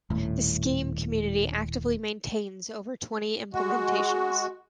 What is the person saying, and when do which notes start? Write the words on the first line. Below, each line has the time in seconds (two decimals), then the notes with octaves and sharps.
The Scheme community actively maintains over twenty implementations.
0.10 D#1 A2
3.53 G#3 F#4